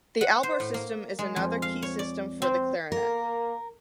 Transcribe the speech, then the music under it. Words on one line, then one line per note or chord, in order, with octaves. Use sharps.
The Albert system is another key system for the clarinet.
F#5
C5
A2
A#3
G#3
F2
F5
C#5
D5
C4
A#3 A#4